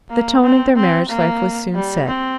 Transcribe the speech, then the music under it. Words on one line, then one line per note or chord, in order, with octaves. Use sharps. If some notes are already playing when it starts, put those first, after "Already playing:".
The tone of their marriage life was soon set.
A#3
C4
C4
A#3
G3
C4